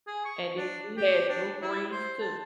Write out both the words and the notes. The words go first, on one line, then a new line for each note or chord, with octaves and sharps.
and then we had Drew Brees, too.
G#4
C#6
D4
G4
D4
E4
C5
A5